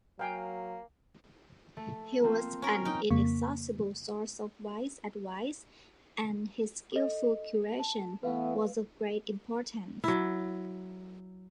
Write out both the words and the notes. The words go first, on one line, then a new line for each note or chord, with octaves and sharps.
He was an inexhaustible source of wise advice, and his skillful curation was of great importance.
F#3 A#3 F5 G5 G#5
A3
A#3 C4 F4
C#4 A#4
F#3 D#4 G5
F2 C#3 A#3 C#6 B6
A4 D#5
A5
E3 A3 B3 B4 F5
F#3 E4